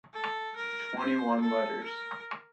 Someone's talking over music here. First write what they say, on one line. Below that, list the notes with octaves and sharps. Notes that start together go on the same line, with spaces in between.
Twenty-one letters.
A4
A#4
C5
A4
A#4